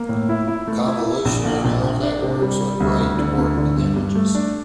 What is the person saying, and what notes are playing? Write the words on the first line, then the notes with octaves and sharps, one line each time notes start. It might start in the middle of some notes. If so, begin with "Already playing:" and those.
Convolutional Neural Networks are great to work with images.
Already playing: A#3
A2
E4
E4
A3
E4
E4
A#1
A#2
A#1
A#1
D4
C3
G3
G3
D2
D2
D3
D2
D3
G2
G2
A3
D4